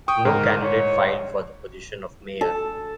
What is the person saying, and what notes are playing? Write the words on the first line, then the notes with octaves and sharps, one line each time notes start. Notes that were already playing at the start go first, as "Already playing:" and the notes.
No candidate filed for the position of mayor.
G5 C#6 D#6
G#2 A#4
C#5
A4